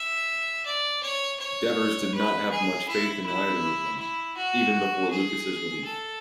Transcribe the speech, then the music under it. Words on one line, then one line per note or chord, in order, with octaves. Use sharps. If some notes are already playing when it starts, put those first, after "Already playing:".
Devers did not have much faith in either of them, even before Lucas' relief.
Already playing: E5
D5
C#5
C#5
B4
G#4
E4
E4
E4
F#4
G#4
A4